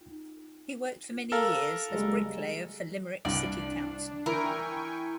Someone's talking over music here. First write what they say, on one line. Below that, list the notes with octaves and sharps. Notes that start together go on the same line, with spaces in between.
He worked for many years as bricklayer for Limerick City Council.
A4 A#4 F5
F#1 G3 G#3
C2 G2 D4 D5
E3 E4 A#4 G5 G#5 C#6